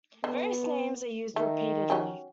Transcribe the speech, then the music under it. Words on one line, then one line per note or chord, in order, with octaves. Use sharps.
Various names are used repeatedly.
D3 B3
D#3 A3
F#3 C#4 G4